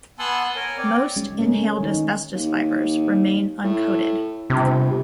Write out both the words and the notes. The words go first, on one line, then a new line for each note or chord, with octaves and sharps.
Most inhaled asbestos fibers remain uncoated.
B3 F#5 G#5 A5 C6 E6
A#4 C#5 G#5
C4 C#5 D5
G#3 C#4
A3 C#4 A#4
D#3 D#4
D#2
A2
G1 C3